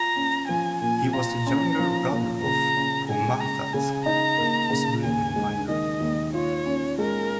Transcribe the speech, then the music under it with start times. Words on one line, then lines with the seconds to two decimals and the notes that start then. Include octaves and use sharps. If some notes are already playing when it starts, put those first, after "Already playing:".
He was the younger brother of Phommathat, and possibly a minor.
Already playing: F4 A#5
0.16 C#4
0.48 F3 G#5
0.81 A#2 G#5
1.13 F4 A#5
1.46 C#4
1.79 F3
2.11 A#2
2.43 C#3 A#5
2.76 C#4
3.08 G#3 G#5
3.40 C#3 A#5
3.73 C#3 G#5
4.06 D#4 A#5
4.38 A#3
4.71 C#3
5.04 D#2 G#5
5.36 G#3
5.69 D#3 D#5
6.00 D#2
6.34 F4 C#5
6.66 C#4
6.98 G#3 A#4